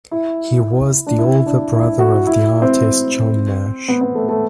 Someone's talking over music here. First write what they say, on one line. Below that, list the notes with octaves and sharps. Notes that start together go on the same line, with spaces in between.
He was the older brother of the artist John Nash.
E4
D4
E4
D4
E4
F#4
E4
C4
B3
B3
A3
A3